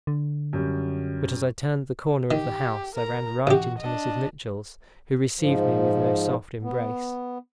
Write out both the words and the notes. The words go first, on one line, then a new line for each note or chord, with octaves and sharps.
But as I turned the corner of the house I ran right into Mrs. Mitchell's, who received me with no soft embrace.
D3
F#2 G3
D#3 G4
A#4 A#5
A1 F#4 G4
D4 D#5
G#2 F3
B3